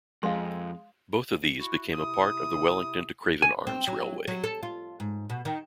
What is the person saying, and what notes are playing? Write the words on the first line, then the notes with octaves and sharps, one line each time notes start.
Both of these became a part of the Wellington to Craven Arms Railway.
F2 G#3 F5 C6
E4 F#4
C3 E4 D#6
G#5
C4
F#3
F#3
A4
F4
G#2
B2
D#3